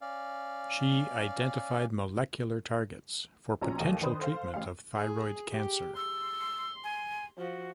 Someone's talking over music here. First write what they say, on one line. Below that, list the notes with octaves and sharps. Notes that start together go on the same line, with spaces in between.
She identified molecular targets for potential treatment of thyroid cancer.
C#4 D5 F5
A#1 B2 F3 C#4 C5 A#5
D#2 A3 D#5 F5 D#7
D#3 D4 B4 C5 D#6
A4 C5 F5
A1 F5
G#4
G4
C6 E6
G#5
F3 F#4